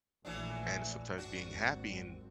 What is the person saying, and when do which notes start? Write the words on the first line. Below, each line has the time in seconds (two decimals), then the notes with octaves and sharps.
and sometimes being happy and
0.25 A#1 E3 F#3 A3 D4
1.18 G#1 F#2 C4 D4 F#4